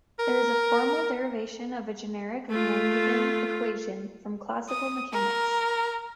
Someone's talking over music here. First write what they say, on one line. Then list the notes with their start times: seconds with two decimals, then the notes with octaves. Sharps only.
There is a formal derivation of a generic Langevin equation from classical mechanics.
0.19 A#4
2.50 A3 F4
4.69 D#6
5.13 A#4